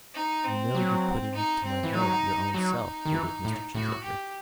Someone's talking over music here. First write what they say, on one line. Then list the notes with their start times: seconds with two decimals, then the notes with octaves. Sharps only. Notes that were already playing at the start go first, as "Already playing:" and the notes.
"You know you put it into my head your own self," pleaded Mr. Cheesacre.
0.14 D#4
0.44 C4
0.75 F#3
1.34 D#4
1.65 C4
1.83 E3
1.94 F#3 D#4
2.54 F#3 D#4
3.05 D#3
3.14 E3
3.45 A2
3.75 A2 F#4
4.04 G4